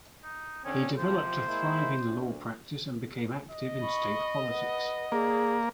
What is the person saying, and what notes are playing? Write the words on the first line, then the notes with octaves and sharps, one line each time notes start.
He developed a thriving law practice and became active in state politics.
D#4
D3 C4 C#4 G#4
C3 F3 C5
G#3 A#3 E4
D2
D#5
B5 C#6
B4 F#5
A#3 G#4 D5